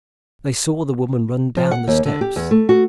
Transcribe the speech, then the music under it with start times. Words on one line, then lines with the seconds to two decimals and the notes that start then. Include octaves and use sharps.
They saw the woman run down the steps.
1.57 F3
1.71 F#5
1.87 D#2
2.05 D3
2.21 G4
2.36 E2
2.51 A3
2.69 F#4